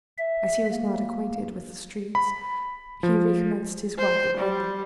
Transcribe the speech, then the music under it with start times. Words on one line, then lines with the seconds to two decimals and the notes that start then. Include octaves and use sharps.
As he was not acquainted with the streets, he recommenced his walk at random.
0.18 E5
0.72 A#3
2.15 B5
3.03 F3
3.98 C5
4.37 G3